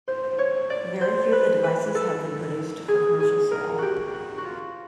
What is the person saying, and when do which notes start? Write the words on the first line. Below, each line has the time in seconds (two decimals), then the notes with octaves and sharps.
Very few of the devices have been produced for commercial sale.
0.08 C5
0.39 C#5
0.70 D5
1.01 C5
1.32 B4
1.64 B4
1.95 A4
2.88 G#4
3.20 G#4
3.51 A#4
3.78 F#4 G4
4.13 F#4
4.38 F#4
4.45 F4